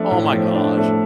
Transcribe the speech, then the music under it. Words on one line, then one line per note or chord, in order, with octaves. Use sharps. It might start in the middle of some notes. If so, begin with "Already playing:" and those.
Oh my gosh.
Already playing: F3 A3 D4
A2
F3
D4
A3